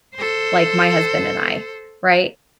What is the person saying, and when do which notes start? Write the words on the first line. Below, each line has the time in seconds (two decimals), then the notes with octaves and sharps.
like my husband and I, right?
0.15 A4 C5